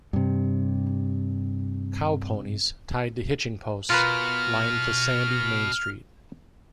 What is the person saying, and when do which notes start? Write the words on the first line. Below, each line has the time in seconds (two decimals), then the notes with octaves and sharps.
Cow ponies, tied to hitching posts, lined the sandy Main Street.
0.13 G2 C3
3.90 B2 F4 A#4 B4 F6